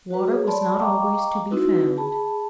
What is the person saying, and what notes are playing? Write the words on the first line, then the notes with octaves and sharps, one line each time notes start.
Water was not always to be found.
F#4 B4
G#4 C#5
C#5 D5 A5 B5 C6
D#5 F5 G5 A#5 C#6 D6
C4 D#4 E4 F#4 B4
G#4 A5 B5